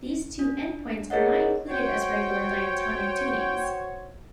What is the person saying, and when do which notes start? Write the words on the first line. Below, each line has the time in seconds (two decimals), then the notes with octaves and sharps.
These two end points are not included as regular diatonic tunings.
0.39 D4
1.10 G#4 A#4 C#5 D#5 F#5
1.69 F#4 C5 C#5 G5